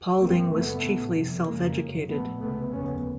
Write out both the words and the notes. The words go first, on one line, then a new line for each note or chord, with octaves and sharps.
Paulding was chiefly self-educated.
G#1 G2 A#3 C4
G1 F#2 C#3 A3 B3
A1 A2
G1 F2 C3
F#1 F2 C#3 G#3 A#3
F#1 F#2 C#3
A#1 A#2 A3 B3
C#2 C3 A3 B3
F1 D#2 C#3 B3 C#4